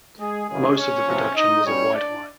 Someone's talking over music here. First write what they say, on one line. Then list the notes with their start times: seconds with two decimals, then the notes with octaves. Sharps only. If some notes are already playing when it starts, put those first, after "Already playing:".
Most of the production was of white wine.
0.18 G#3 G#4
0.47 F#2 C#3 E3 G#3 G#4
0.77 C#4 C#5
1.07 E2 C3 F3
1.35 D#4 D#5
1.65 B2 G3 C#4 C#5
1.94 D4 D5